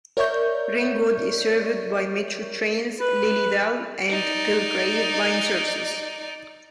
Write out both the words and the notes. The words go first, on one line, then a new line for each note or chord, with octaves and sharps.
Ringwood is serviced by Metro Trains' Lilydale and Belgrave line services.
A#4 C#5 D5 E5 C#6 G6
B4
D#4 D5